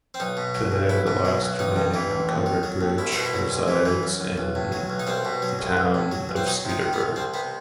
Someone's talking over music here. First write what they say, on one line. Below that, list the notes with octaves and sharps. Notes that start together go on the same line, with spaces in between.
Today, the last remaining covered bridge resides in the Town of Cedarburg.
C4
B1 D#4
B2
F#3
B1
B1 E4
B2
F#3
B1
A1 D#4
G2
E3
A1
D#2
D#3
F#3
D#2
C2 E4
B2 F#4
E4
F#3
C2
E3
E3
F#2
F#2
B1
A2
F#3
B1
D#4
C2 C4
B2
F#3
C2
B1
A2
F#3
B1
C4
F#3 D#4
C3
D#4
D#3
B3
C2
C2 C4
C3 B3